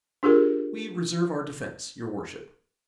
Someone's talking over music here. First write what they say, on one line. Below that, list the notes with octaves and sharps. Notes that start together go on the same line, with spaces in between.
"We reserve our defence, your worship."
D4 F4 G4 G#4 A#4